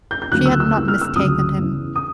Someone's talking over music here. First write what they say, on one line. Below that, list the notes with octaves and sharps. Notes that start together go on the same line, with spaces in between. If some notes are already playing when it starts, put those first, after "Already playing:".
She had not mistaken him.
G6
G6
D2 C#3 F#3 A#3 F#6
E6
E6
C#2 C#3 E3 G3 A#3 E6
F6
E6
D2 C#3 F#3 D#6
E2 C#3 E3
D#6